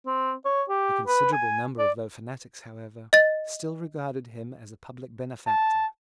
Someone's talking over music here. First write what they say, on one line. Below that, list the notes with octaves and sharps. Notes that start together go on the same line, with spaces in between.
A considerable number of low fanatics, however, still regarded him as a public benefactor.
C4
C#5
G4
B4
G#5
D5
D#5 A6
A5